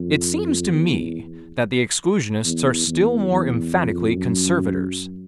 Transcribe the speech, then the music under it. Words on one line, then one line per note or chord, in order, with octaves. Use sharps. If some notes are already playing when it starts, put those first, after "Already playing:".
It seems to me that the exclusionists are still more emphatically conservators.
Already playing: F2
E2
E2
E2
E2
F2
F#2